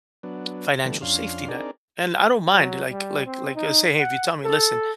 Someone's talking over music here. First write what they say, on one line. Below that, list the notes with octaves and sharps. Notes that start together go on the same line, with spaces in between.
financial safety net, and I don't mind, like like like just say, hey, if you tell me, "Listen,
F#3 B3 D4
D3 E3 G3 A3 B3
F2 C#4 D4 F5 C6
C4 D4 D#4 G#4 A#4 D5
F#3
G3
C4
D#4
F#5
A4